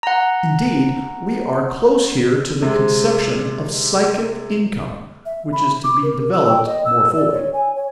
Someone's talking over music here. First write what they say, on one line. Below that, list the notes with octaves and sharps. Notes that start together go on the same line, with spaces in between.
Indeed, we are close here to the conception of psychic income which is to be developed more fully.
F#5 A#5
C3 G#3
E5
B5
D6
A#4
E6
G5
D#5
E6
D5
C#5
G#5
C#5